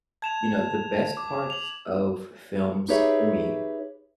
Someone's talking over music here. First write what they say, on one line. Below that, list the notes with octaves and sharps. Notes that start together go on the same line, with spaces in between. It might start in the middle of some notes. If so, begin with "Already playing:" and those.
you know, the best parts of films for me
A5 G#6 E7 F7
D6
F7 F#7
D#4 G4 G#4 B4 C#5 E5